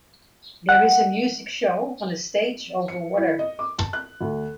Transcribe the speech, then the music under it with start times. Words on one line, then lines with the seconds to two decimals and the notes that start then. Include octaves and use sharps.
There is a music show on a stage over water.
0.69 F#5
2.88 C#7
3.17 E4
3.39 D#5
3.59 D6
3.78 A5
3.93 F#6
4.21 D2